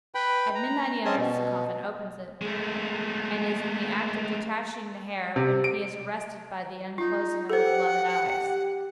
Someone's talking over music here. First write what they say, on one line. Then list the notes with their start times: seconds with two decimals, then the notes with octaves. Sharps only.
At midnight he unearths the coffin, opens it, and is in the act of detaching the hair, when he is arrested by the unclosing of the beloved eyes.
0.15 B4 G5 B5
0.55 A#5
1.05 C4 C#4 G#4 D#5 G#5 A5
1.18 B2
2.42 G#3 A3
5.36 C3
5.64 D7
6.98 D#4 F4
7.50 G4 A4 C5 F#5